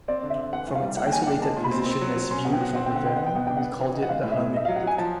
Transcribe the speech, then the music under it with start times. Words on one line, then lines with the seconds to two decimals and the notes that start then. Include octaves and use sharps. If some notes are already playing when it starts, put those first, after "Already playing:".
From its isolated position as viewed from the valley we called it the Hermit.
0.08 C4 D5
0.23 D3
0.30 E5
0.38 D3
0.53 E3 F#5
0.68 C2
0.75 F5
0.82 G3
0.97 A#3 F#5
1.07 G5
1.12 D#3 G#5
1.23 F#5
1.27 D4 G5
1.42 G#3 A5
1.57 A#2
1.64 B5
1.72 C4
1.86 C4
2.01 F#3
2.16 F#3
2.31 C#4 C6
2.45 B2 F#5
2.53 G5
2.61 F#4
2.75 C4 F#5
2.86 D3 G5
2.96 F#5
3.05 D#4 G5
3.16 B3 F#5
3.26 G5
3.35 B2 F#5
3.47 D4 G5
3.57 F#5
3.64 B3
3.79 E3
3.94 D#4
4.02 F#5
4.09 G#3 F5
4.24 A2
4.32 E5
4.39 A2
4.54 D#4 E5
4.65 F5
4.68 F#3
4.76 F#5
4.83 F#3 G#5
4.98 F3 A5